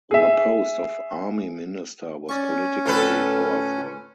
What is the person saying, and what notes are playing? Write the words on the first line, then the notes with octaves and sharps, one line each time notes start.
The post of Army Minister was politically powerful.
G#4 E5
C#4 D5 C#6
D2 A2 F4 A4 B4